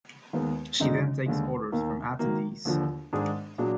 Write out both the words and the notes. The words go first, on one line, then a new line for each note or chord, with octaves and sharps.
She then takes orders from attendees.
D#2 D#3 G#3 B3
F#2 D3 G#3 D#4
D#2 D3 G#3
D#2 D#3 A#3
D#3 F#3 A#3
D#2 D3 F3
G#2 D#3 G#3 D4 G#4
A#2 F#3 D4 G#4